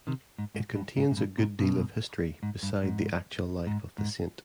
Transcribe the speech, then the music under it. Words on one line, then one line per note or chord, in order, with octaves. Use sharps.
It contains a good deal of history beside the actual life of the saint.
C3 D#3
G#2
G#2
G2
G#2
G#2
G2 B2
G#2 C3
G2 B2
G#2
G2
G#2
G#2
G#2